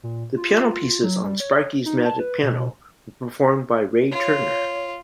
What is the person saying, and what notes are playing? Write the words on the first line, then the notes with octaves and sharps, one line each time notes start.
The piano pieces on "Sparky's Magic Piano" were performed by Ray Turner.
A#2
F4
F#3
G3
C#5
D#4
A5
B4
B2
F4 C#5